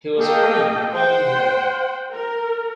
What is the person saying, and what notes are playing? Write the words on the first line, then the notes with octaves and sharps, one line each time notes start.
He was freed the following year.
A#3 G#4 A4 D#5 G5
C5 F#5 G5
A#4